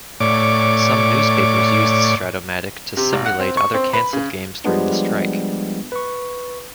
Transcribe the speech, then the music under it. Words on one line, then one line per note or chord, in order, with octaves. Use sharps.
Some newspapers used Strat-O-Matic to simulate other canceled games during the strike.
A2 C#5 D5 D6
C3
G#1
F#5
C4
C#6
C4
B4
C#3
F3 G3 G#3 B3 D4
B4 C#6